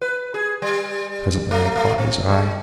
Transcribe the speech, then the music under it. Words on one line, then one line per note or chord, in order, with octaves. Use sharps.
Presently I caught his eye.
B4
G#4
G3
A3
A3
C4
G#3